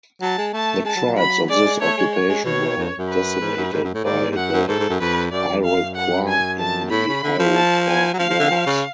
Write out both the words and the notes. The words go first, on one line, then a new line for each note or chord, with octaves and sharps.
The tribes of this occupation were decimated by the Iroquois in the Iroquois Wars.
F#3 A5
G#3
A3 A5
G#3 A5
F#3
F#3
B5
G#3 D5
G#3
A3 C#5
G#3
C#5
G#3
B2 C#5
F2
F#2
B4
G#2
F#2
G#2
F#2
A2
G#2 D5
G#2
F#2 F#5
F#2
G#2 A4
G#2
F#2
F2 B4
F#2 D5
F2
F#2 F5
F#5
G#5
A5
A2 B5
C#3
D3
F3
A5
G#5
F#3
F3 F5
F3
D3
F3
C#3